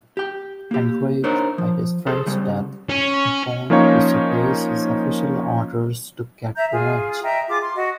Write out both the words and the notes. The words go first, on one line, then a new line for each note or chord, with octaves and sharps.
Enraged by his friend's death, Bond disobeys his official orders to get revenge.
G4 G5
A#3 G4
D4 D#4 A#4 C5 C#5
F3
G#4 A4 C5
C#3 G3
C#4
F3 A#3 C#4 D#4 C#5 F5
E5 A#5 G6
F4 G#4
D#5 E5 G5 A#5
F4 G#4 D6
C6
F#4 D#5